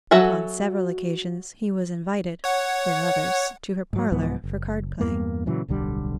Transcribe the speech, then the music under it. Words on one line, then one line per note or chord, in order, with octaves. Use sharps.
Upon several occasions he was invited, with others, to her parlor for card playing.
F#3 F#4 A4 E5 G#5
C#5 F#5
G#2 F#3
C2 G#2 F3 B3
F#1
E2 G2 A#3 B3
A#2 C#3 E3 F#3
D1 B1 D3 G3